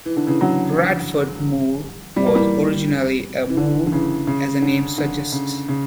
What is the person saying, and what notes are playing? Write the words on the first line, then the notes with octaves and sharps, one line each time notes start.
Bradford Moor was originally a moor, as the name suggests.
E3
D3
C#3 E3
D3 F#3
G3
A#3
E3 G3
E3
D3
D3
C#3 E3
C#3
D3
D3
C#3
C#3